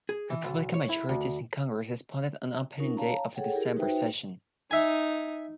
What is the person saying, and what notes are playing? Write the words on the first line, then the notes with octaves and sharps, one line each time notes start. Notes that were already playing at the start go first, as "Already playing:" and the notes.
Republican majorities in Congress responded on opening day of the December Session.
G#4
E3
B1
C#5
E4
D2
C#4 D#4 F4 A#4
C#5 F5 A5 A#5
G#4 A4 C#5 F#5 G5
E4 G4 G#4 A#4
D#4 F#4 B4 C5 E5 G5
D#4 E5 G#5